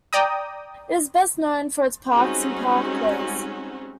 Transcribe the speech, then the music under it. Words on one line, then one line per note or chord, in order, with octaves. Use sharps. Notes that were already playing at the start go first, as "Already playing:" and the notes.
It is best known for its parks and parkways.
D5 G5 A#5 D#6
G3 G#3 C4 C#4 D#4 F#4